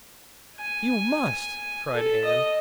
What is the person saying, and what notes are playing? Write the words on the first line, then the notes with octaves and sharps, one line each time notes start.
"You must!" cried Ann.
G#5
A4
D#5